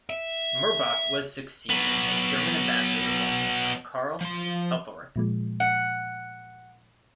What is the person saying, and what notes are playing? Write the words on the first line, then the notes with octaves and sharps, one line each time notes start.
Mirbach was succeeded as German ambassador to Russia by Karl Helfferich.
E5
F#3 B3
F3 C6
A#2 F3 G#3
F#5